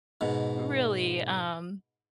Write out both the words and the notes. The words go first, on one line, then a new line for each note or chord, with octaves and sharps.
really, um,
G#2 B2